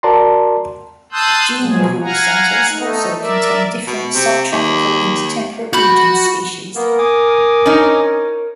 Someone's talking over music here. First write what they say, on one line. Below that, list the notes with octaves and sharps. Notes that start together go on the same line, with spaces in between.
Gene pool centres also contain different sub tropical and temperate region species.
F#4 A#4 D5 A5 A#5 C6
A5 C6 D#6 E6 F#6 G6
B2 F3 F#3 G#3 G#4
F5 F#5 G#5 A#5
A3 D#4
A#4 D5 E5
B2
C3
D#2
F#4 B5 G6
A#3 B3 A#4
G#5 D6 D#6
C#4 D#4